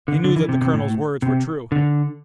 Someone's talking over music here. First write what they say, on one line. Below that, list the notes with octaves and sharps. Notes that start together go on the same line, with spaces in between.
He knew that the colonel's words were true.
D3
D3
E3
C3
C3
A2
C3
D3